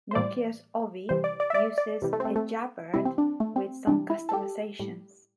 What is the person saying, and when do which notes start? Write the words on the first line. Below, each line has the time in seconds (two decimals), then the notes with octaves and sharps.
Nokia's Ovi uses ejabberd with some customizations.
0.11 C5
0.15 A2 E3 G3 D5
1.09 C3 E3 G3 C5
1.24 D5
1.40 D5
1.50 E5
1.54 D5
1.78 D5
2.02 C3 E3 G3
2.13 A3
2.20 C4
2.25 A3
2.36 A3
2.94 C3 E3 G3 E4
3.05 C4
3.18 D4
3.40 A3
3.56 C4
3.87 C3 E3 G3 D4
4.10 E4
4.29 A4
4.33 G4
4.79 A2 G3